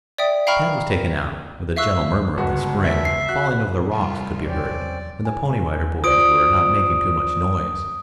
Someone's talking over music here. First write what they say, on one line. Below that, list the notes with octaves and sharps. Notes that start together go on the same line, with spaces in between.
Tad was taken out where the gentle murmur of the Spring falling over the rocks could be heard when the Pony Rider Boys were not making too much noise.
D5 E5 G5 D#6
F5 G5 A#5 B5 C#6 F6
E5 F5 C#6 E6 F#6
G1 C#2 F#4
E5
C7
F#4 F#6
C2 A2 G3 F4
E2 F#3 C4 C#4 C5 D5
G#5
F4 C5 D5 D#6 D7